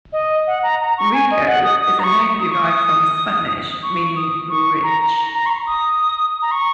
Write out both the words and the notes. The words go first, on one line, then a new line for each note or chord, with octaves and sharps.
Rico is a name derived from Spanish meaning "rich".
D#5
F#5
A#5
A#5
C#6
G#5
D#5
F#5
D#6
D#6
A#5
C#6
D#6
C#6
D#6
C#6
D#6
C#6
A#5
A#5
A#5
C#6
A#5
D#6
A#5
C#6